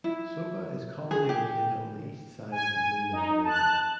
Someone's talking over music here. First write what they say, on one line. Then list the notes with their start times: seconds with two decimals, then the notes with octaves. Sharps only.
Soba is commonly located on the east side of the Blue Nile river.
0.04 E4
1.11 G#4
1.29 G4
2.52 G#5
3.13 D#4
3.44 A5 F#6